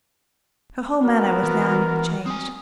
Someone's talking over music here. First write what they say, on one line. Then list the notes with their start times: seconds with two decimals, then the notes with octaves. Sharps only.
Her whole manner was now changed.
1.05 B3 F#4 A#4
1.43 E3
2.26 C4 G#5 D#6